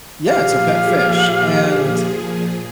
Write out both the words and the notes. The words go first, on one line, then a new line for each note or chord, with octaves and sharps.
yeah, it's a pet fish, and
A#2 F3 G4 G#4 F5